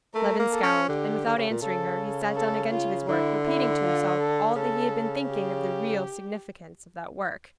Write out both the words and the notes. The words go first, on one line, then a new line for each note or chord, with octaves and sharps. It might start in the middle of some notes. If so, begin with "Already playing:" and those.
Levin scowled, and without answering her, he sat down again to his work, repeating to himself all that he had been thinking of the real significance of that work.
A3 A#4
A#3
A4
C#4
D3 G4
D3
C#3
A#2
C#3 A4
A4
F4
D3 E4
E4
F4
A4
C#3 A4
G4